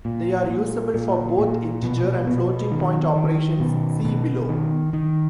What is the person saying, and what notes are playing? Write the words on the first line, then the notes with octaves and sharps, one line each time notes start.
They are usable for both integer and floating point operations, see below.
A#2
A#2
A#2
A#2
B2
B2
D#3
D#3
B2
B2
D#3
D#3